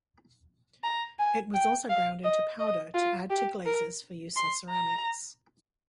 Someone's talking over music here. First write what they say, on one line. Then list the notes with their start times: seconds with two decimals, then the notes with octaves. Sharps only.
It was also ground into powder to add to glazes for use in ceramics.
0.84 A#5
1.19 G#5
1.54 G5
1.89 F5
2.24 D#5
2.59 D#5
2.94 F4
3.30 G4
3.66 A#4
4.36 C6
4.70 A#5